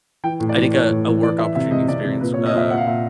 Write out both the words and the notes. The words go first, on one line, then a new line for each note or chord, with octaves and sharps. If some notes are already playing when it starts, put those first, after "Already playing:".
I think a a work opportunity experience w uh,
E3 G5
A2
D5
E3
E3 C#5
A2
E3
E3 D5
E3 E5
C3 E5
C3 D#5
C3 D5
C3
A#2 B4
C#5
A#2
D#5
A#2 E5
A#2 F#5
F5
A#2 E5